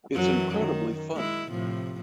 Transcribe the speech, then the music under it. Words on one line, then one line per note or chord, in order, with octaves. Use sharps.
It’s incredibly funny.
F#2 E3 F#3
D#3
G#3 E4
A2 C3 F3